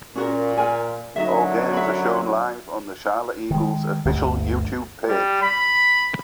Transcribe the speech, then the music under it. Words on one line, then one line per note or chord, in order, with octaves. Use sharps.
All games are shown live on the Charlotte Eagles official YouTube page.
A#2 C#4 F#4 A#4
A#4 G#5
F#2 D3 F#3 D#4 D#5 E5
E5 B5
D#3 G#3
G1 D2
G3
B5